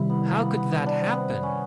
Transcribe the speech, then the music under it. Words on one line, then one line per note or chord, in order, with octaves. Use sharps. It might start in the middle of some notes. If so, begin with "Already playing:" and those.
How could that happen?
Already playing: C3 D#3 G3 E4
B3
A#3
B3
B3
B3
D4
C4
B3
C#4